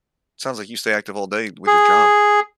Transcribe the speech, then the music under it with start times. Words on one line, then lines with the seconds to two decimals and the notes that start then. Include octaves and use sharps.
it sounds like you stay active all day with your job.
1.67 G#4